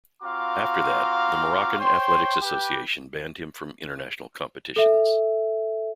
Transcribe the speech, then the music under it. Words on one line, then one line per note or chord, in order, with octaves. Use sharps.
After that, the Moroccan Athletics Association banned him from international competitions.
C4 F4 F#4 F5 A#5 D6
C5 C#5 G5 C6
G4 B4 G5
A4 E5